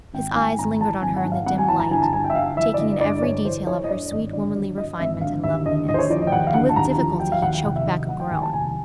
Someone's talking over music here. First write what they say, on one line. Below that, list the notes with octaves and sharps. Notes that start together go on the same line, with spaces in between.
His eyes lingered on her in the dim light, taking in every detail of her sweet womanly refinement and loveliness, and with difficulty he choked back a groan.
G#1 G5
G5
G#2 G#5
G#1 A#5
E3 A5
G#1 G#5
F#5
G#2
F5
G#1 F#5
G#5
E3 A5
A#5
G1 G#5
A5
G2 G#5
G5
E5
G1 F5
E3 E5
D5
G1 D#5
D#5
G2 D5
G1 C#5
E3 C5
F#3 C#5
D#5
G2 D5
G#1 D#5
D3 D5
F#3
G2 D#5
G#1 E5
D3 F5
D#2 E5
D3 D#5
D#2 D#5
C5
C#5
F3 D5
D#5
G5
D#2 F#5
F5
D3 F#5
A5
D#2 A#5
F3
F#3 G5
F5
D#2 F#5
G5
F1 F#5
E5
D#3 D#5
F#3 F#5
G5
D#2 G#5
A5
F1 G#5